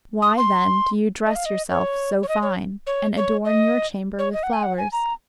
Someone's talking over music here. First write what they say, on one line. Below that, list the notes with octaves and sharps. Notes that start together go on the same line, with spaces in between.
"Why, then, do you dress yourself so fine, and adorn your chamber with flowers?"
D#6
C6
D#5
F5
D#5
C#5
C#5
D#5
C#5
C#5
C#5
D#5
C#5
D#5
F#5
G#5
F#5
G#5
A#5